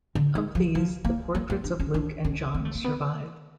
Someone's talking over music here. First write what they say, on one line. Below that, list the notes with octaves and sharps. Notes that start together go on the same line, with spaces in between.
Of these the portraits of Luke and John survive.
D3
D#3
F3
F3
A#3
A#3
A#3
D4
C#4
D4
C#4
C4
A3
A#3
B3